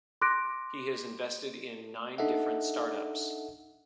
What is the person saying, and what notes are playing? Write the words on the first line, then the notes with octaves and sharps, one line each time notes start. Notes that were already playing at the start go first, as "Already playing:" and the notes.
He has invested in nine different startups.
C6 D6 F#6 A#6 D7
D4 D#4 A4 D#5 E5 F#5